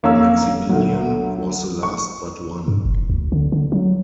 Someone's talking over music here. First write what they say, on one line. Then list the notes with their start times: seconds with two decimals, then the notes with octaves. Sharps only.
Maximilien was the last but one.
0.03 F1 A#3 C#4 A#5 E6
0.69 D2 F#3
1.83 C#6
2.68 G2
2.85 F#1
3.10 D2
3.32 D3
3.52 D3
3.72 F#3